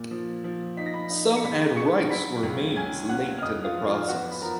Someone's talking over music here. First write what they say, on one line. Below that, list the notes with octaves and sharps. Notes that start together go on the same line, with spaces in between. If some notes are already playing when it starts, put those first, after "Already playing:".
Some add rice or maize late in the process.
Already playing: A#2
F3
F3
D#4 B6
A#6
B5 B6
D#4
C#7
C#3 B5 B6
C#3 C#6 C#7
F#3 B5 B6
C#2
C#4 G#5 G#6
C#4 F#5 F#6
F6
F2 D#5 D#6
F4 F5
F3
F4 F5
B3 F#4 F#5
B5
F3 A#4 A#5